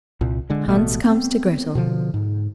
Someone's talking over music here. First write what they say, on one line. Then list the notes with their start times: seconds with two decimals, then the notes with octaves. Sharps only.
Hans comes to Grettel.
0.21 C2 A#2
0.50 D3 G#3
0.66 A1 B2 A3
1.04 B3 C4
1.75 B2 D3 F3
2.14 G#2